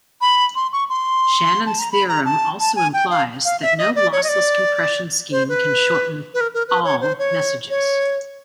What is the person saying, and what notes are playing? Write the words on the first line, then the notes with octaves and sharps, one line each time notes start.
Shannon's theorem also implies that no lossless compression scheme can shorten "all" messages.
B5
C6
C#6
C6
A5
A#5
B5
A#5
A5
A5
G#5
G5
F5
F5
E5
D#5
D5
C#5
D#5
D5
C5
B4
B4
A#4
A#4
B4
C#5
C5
C#5
C#5